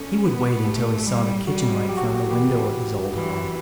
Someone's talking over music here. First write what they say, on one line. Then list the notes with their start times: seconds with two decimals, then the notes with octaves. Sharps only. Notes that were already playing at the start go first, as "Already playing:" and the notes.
He would wait until he saw the kitchen light from the window of his old home.
Already playing: C#4 A4
0.24 B3
0.65 A3 G4
1.06 G3
1.47 G3 F#4
1.89 F#3 G4
1.97 F#4
2.15 F#4
2.30 E3 G4
3.13 E3